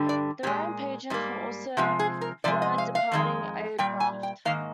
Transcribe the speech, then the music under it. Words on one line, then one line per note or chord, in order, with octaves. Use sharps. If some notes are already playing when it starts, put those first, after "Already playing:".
The ramp agents will also load departing aircraft.
Already playing: G2 D3 G3
D5
A#2 G#3 G4
G#2 G3 A#3
C3 F3 G#3 G4
G#4
A#4
C3 F3 G#3 D5
D#5
F5
F5
F2 D#3 G#3
A#2 G3 G5
G#5
G5
G#2 D#3 A#3 F5